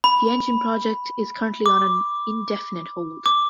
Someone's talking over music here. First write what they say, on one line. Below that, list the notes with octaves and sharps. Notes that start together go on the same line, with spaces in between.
The engine project is currently on an indefinite hold.
B5
D6
D6